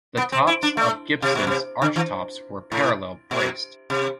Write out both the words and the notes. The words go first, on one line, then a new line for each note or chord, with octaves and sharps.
The tops of Gibson's archtops were parallel braced.
B3
C4
E4
D4
A3
C3
B2
C3
D3
E3
A2
B2
C3